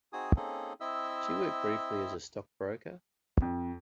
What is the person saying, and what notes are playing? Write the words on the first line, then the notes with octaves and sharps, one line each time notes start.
She worked briefly as a stockbroker.
C4 D#4 F#4 G#4 G#5 D#6
A#3 C4 C#4 D#4 G#4 A4
C4 E4 D#5 E5 E6
F2